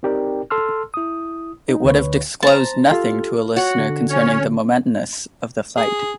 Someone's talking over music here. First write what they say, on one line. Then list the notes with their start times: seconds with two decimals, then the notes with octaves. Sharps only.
It would have disclosed nothing to a listener concerning the momentousness of the flight.
0.03 C4 D#4 G4 A#4 D5 G5
0.50 A4 A5 C6 E6 F6
0.94 E4 D#6
1.69 D#4
1.85 D2 D3 B4 C#5
2.43 C5 A5 A#5
2.91 F4 G4 A4
3.56 F#4 C#5 F#5
3.78 D3
4.09 C#4 C#5
5.77 G#4